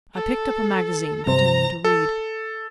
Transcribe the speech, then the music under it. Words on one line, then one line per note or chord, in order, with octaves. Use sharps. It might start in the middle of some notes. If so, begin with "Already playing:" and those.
I picked up a magazine, pretending to read.
A4
G2 C3 C5 A#5
A4